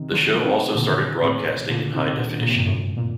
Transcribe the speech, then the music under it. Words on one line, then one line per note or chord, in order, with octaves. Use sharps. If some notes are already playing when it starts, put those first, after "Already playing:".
The show also started broadcasting in high-definition.
Already playing: C3 D#3
D3 F#3
F#3
C3 D#3
A#2 D3
A2 C3
A#2 D3
C3 D#3
A#2 D3
A#2
C3
G2 A#2
F#2 A2
A#2